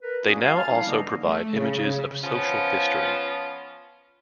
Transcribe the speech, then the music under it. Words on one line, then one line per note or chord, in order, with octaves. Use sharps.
They now also provide images of social history.
A#4 B4
G3 A#3 C#4 F#4 G#4
F5
G#5 A5 F6
F3 G3 D4 E4 F4 F5
D3 E3 G3 A#3 C#4 D#4
A3
C#3
F3 B3 C#4 F4